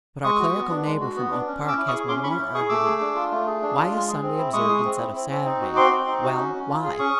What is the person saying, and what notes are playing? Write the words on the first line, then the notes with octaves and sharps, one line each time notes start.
But our clerical neighbor from Oak Park has one more argument: "Why is Sunday observed instead of Saturday?" Well, why?
G#3 C#6 D#6
F#4
B3
D4
G#3
F#4
B3
D4
C#4
C#4
D6 E6
E4
C#6 D#6
G#4
C#4 C6 D6
C#4 B5 C#6
E4
G#4 C#6 D#6
A3 D6 E6
G#4
D4
F4
A3
G#4
D4
F4
G#3
G#4
C4
E4
G#3 C#6 D#6
G#4
C4
E4
C4
C4
D#4
F#4
C4 C6 D6
C4
D#4
F#4
C#4
C#4
F4
G#4
C#4 C#6 D#6